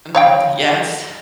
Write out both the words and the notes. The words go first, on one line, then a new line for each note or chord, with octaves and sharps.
Mhm. Yes.
C#5 F5 G5